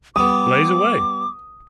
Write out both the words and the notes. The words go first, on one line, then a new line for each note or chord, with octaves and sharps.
Blaze Away!
G3 B3 D6 D#6